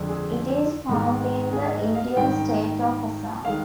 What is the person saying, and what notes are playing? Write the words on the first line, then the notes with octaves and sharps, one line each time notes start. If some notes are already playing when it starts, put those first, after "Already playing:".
It is found in the Indian state of Assam.
Already playing: F2 D3 G#3
G#4
G#2 D#3 G#3
G#4
D#5
F5
G#2 D#3 G3 G5
D#3 G#3 F5